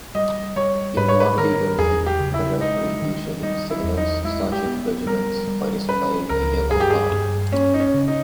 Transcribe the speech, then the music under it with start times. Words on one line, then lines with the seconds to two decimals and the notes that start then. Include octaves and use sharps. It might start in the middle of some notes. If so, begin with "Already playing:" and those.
In rugby union, the referee usually signals such infringements by displaying a yellow card.
0.15 G3 D#5
0.56 G3 C#5
0.97 G#2 B4
1.08 C#5
1.20 B4
1.38 D#3 A#4
1.79 E2 G#4
2.06 G4
2.20 C#3
2.34 E4
2.61 G#3 D#4
3.02 D#3
3.43 G3 D#4
3.70 E4
3.84 E2
3.97 D#4
4.24 G#3 E4
4.52 G4
4.66 B3
5.06 G3 A#4
5.48 G3
5.89 C#4 B4
6.29 C#2 A#4
6.70 G2 G#4
6.80 G4
6.90 G#4
7.12 G2
7.52 A#3 C#4
7.74 D#4
7.80 C#4
7.94 C#3
8.08 D#4